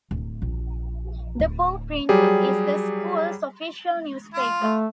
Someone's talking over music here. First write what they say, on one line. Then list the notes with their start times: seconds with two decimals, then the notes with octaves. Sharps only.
The Paw Print is the school's official newspaper.
0.11 D1
0.42 A#1
1.40 D1
2.09 F#3 G3 G4 G#4
4.34 F4
4.60 A3